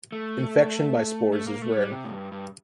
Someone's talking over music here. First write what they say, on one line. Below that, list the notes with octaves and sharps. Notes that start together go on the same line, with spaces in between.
Infection by spores is rare.
A3
A3
A#3
A3
G3
C3
A2
G2
G2